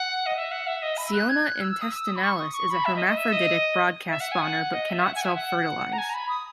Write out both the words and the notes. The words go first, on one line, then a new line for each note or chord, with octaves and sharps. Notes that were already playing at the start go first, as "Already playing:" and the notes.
"Ciona intestinalis" is a hermaphroditic broadcast spawner but cannot self-fertilize.
Already playing: F#5
D#5
E5
F#5
E5
D#5
B5
E6
F#6
G#6
F#6
E6
E6
D#6
E6
D#6
B5
C#6
D#6
C#6
B5
E5
D#5
D#5
E5
D#5
E5
F#5
G#5
F#5
D#5
E5
F#5
G#5
F#5
E5
F#5
A#5
G#5
A#5
B5
D#6